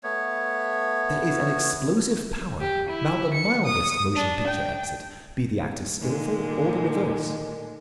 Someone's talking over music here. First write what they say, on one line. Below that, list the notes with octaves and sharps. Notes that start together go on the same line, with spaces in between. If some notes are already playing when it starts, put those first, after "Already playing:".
There is an explosive power about the mildest motion picture exit, be the actor skilful or the reverse.
A3 B3 C#5
G4
E4
C#7
D#6
D4
G5
A#2 D3 D#3 G#3